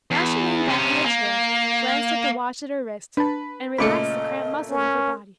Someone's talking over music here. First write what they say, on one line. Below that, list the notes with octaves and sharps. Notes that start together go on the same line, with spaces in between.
Now she leaned back in her chair, glanced at the watch at her wrist, and relaxed the cramped muscles of her body.
E2
C3 C#4
A#3
D4 B4 A5
A#2 C#3 A3 D#5 B5 D6 C#7
C#4 A#4